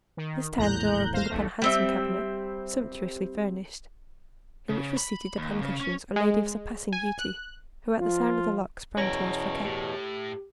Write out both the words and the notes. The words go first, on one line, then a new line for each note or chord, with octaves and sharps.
This time the door opened upon a handsome cabinet, sumptuously furnished, in which was seated upon cushions a lady of surpassing beauty, who at the sound of the lock sprang towards Fouquet.
D#3
A#1 E2 A2 A#5 F#6 G6
C5 F5 A#6
B1 E2 A3
G3 C4 E5
C#3
B5
D#2
C#3
C#4
G#3
G#5
F#6
F3 F4
E2 B2 C#4 C#5 G5 A#5 A#6
A2 G4